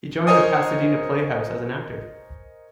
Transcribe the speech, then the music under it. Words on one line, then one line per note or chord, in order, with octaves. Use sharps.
He joined the Pasadena Playhouse as an actor.
A#4 C5 C#5 D#5 G#5 D#6